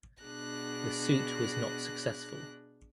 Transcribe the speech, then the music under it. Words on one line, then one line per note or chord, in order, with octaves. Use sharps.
The suit was not successful.
B2 D4 G#4 F#6 A#6